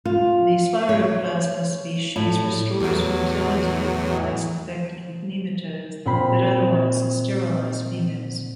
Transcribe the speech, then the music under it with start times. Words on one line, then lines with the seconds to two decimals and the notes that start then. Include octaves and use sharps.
The Spiroplasma species restores fertility in flies infected with nematodes that otherwise sterilize females.
0.05 F4
0.89 C#5
2.16 A2
2.80 E2 A2 F#3
6.06 A#2 C4 B5